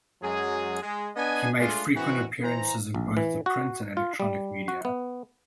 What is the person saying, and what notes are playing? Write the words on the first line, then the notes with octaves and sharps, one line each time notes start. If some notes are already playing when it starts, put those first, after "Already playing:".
He made frequent appearances in both the print and electronic media.
F#2 F#3 G#3 G#4
G#3
B3 D4 D#5 G#5
G#3 A3 D4 F4
E3 C4 F#4
E3 C5 A#5
A#1
E3
F#4
F4
G3
F#4
B3